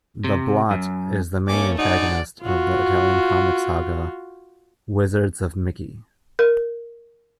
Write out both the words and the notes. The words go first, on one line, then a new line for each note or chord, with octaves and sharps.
The Blot is the main antagonist of the Italian comic saga "Wizards of Mickey".
C3
F#2
A3 A#3 C#4 G#5 D6
D3 F#3 D#4 G#4 D5 F#5
F4 F#4
A#4